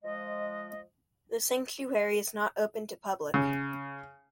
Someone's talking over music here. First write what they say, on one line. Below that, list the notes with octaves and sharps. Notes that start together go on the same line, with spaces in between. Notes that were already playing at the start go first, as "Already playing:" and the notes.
The Sanctuary is not open to public.
F3 G#3 D#5
C#3